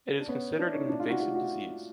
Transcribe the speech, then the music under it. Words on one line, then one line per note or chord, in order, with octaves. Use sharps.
It is considered an invasive disease.
D4
B3 C#4
D4 E4
C#4 D#4
D4 E4
D#4 F4
E4 F#4
F4 G4
E4 F#4